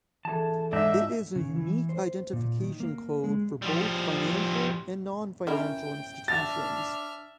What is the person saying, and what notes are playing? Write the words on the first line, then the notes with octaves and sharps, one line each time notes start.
It is a unique identification code for both financial and non-financial institutions.
E3 G#4 A4 A5
G#2 D4 D#4 E5
C#3
E3
C5
A#2
D#3
A#3
G#3
F3 G3
C#4 E4 A#4 G5
D4 E5 F6 A6